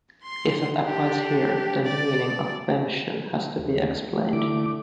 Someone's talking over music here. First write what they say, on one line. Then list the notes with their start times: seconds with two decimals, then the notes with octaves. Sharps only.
If that applies here, then the meaning of 'Vention' has to be explained.
0.24 C6 C7
0.85 D4 G4
1.85 D5
3.59 D#2
4.11 A3
4.33 D3 E4 D6